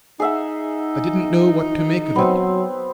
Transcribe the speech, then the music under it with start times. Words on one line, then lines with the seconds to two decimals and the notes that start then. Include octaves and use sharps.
I didn't know what to make of it.
0.20 D#4 G#4 E5 F#5
2.16 F#3 B3 C4